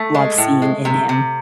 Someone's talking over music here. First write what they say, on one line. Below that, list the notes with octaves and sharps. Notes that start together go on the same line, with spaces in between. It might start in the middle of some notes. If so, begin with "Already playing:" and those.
love seeing in him.
Already playing: A3
G#3
A2
G#3
C3
C3